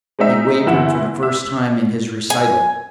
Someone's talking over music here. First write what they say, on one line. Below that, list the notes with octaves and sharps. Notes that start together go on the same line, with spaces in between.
He wavered for the first time in his recital.
G#3 C4 D#4 E5
G1 E3 E4 F#5 E7
E5
G#5